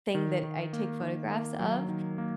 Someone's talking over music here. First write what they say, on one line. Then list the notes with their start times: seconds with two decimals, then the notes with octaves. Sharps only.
thing that I take photographs of,
0.15 D#3
0.43 D#3
0.73 A#3
1.01 D#3
1.31 A#3
1.59 F#3
1.89 D#3
2.18 A#3